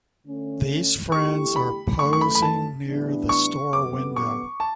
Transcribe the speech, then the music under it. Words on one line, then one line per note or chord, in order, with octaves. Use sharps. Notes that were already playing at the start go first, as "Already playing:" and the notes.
These friends are posing near the store window.
D3 A3 C#4
E2 D3 A3 E4 G4 C#6
B5
F#2 E3 A3 C#6
C#6
B5
B5
A5
A2 E3 G3 B3 D4
C#6
F#2 D3 G3 B3 D6
C#6
A5